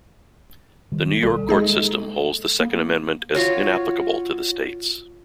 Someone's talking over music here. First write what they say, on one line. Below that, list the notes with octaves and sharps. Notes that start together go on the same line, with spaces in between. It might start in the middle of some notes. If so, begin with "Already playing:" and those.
The New York Court System holds the Second Amendment as inapplicable to the states.
D#3 G3
B1 G3 A4
G#3 A#3 D#4 G#4 D#5
A#3
F4 F#4 C#5